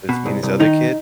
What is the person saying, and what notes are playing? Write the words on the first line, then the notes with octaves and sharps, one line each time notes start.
with me and this other kid.
B2
C2
C2
D#3 D#4